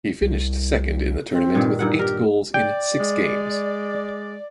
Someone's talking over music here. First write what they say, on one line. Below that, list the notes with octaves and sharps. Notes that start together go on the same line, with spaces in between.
He finished second in the tournament with eight goals in six games.
C2
C4
G2 A#2 D#3
G2 A#2 D#4 F#5
G4 A#4
D5 G5
G#3